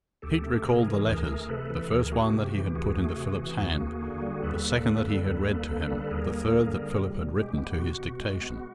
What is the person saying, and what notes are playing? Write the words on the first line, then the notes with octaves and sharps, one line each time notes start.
Pete recalled the letters--the first one that he had put into Philip's hand, the second that he had read to him, the third that Philip had written to his dictation.
D2 G4 A4
A3
C3 G#4 A#4
E3
D2 G#4 A#4
A3
C3 A4 B4
E3
D2 G#4 A#4
A3 F#4 G#4
C3 G4
F#4
E3 G4
D2 F#4 G#4
A3
C3
E3
D#2
A#3
D3
G3
D#2 A4 B4
A#3
D3
G3
D#2
A#3
D3
G3
D#2 G#4 A#4
A#3
D3
G3
B2
B2
G#3 G4
B3
B2 F#4
B2
G#3
B3